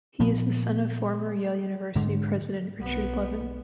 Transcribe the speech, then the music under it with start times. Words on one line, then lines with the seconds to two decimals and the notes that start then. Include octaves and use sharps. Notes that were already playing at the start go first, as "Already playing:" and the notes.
He is the son of former Yale University President Richard Levin.
0.20 A#2 F3 B3
1.96 G#2 D3 G#3
2.80 B1 B3